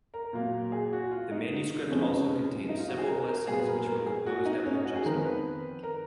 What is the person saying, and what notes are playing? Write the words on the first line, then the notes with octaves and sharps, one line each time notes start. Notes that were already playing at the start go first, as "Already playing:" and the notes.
The manuscript also contains several blessings which were composed at Winchester.
A#4
A#2 F#3 A#3
G#4
F#4
F4
D#4
F2 C#3 G#3 B3 C#4
D#4
C#4
D#4
F4
F#4
G#4
A#4
A#4
A#2 F#3 B3 G#4
B4
A#4
A#4
G#4
F#4
D#4
C#4
D#4
F#4
G#4
F2 D#3 G#3 B3 A#4
B4
A#4